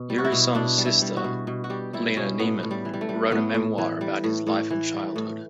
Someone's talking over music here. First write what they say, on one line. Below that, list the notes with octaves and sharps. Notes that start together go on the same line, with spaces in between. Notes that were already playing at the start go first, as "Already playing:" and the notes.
Urysohn's sister, Lina Neiman wrote a memoir about his life and childhood.
Already playing: B2
G3
F#4
E4
B2
B2 D4
G3
E4
G3
F#4
B2
B2
F#4
G3 G4
G3 E4
B2 C#4
A2 B3
A2
G3
E3
G3
A3
G3
A2 B3
A2
E3
G3
A2
A2
E3
G3
A2